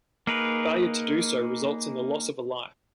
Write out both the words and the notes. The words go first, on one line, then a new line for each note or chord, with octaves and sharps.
Failure to do so results in the loss of a life.
A#3 D#4 G#4 A#4 B4